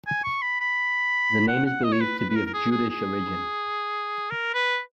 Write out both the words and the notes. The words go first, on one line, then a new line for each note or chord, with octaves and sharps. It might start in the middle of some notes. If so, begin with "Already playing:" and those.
The name is believed to be of Jutish origin.
G#5
C#6
B5
B5
F#5
F#5
D#5
C#5
B4
B4
B4
A#4
A#4
G#4
G#4
G#4
A#4
B4